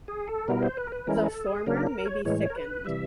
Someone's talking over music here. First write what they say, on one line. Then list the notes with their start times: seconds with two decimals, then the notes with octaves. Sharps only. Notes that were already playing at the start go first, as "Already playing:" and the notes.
The former may be thickened.
0.08 G#4
0.28 A4
0.48 B2 G3 B3 E4 A#4
0.62 C5
0.77 B4
0.87 A#4
0.92 B4
1.07 E3 G#3 C#4 E4 A#4
1.26 A4
1.46 G#4
1.66 C#3 F#3 A#3 D4 A#4
1.87 A#4
2.06 C#5
2.25 A2 E3 G#3 C#5
2.50 A#4
2.56 B4
2.85 C3 E3 G3 E5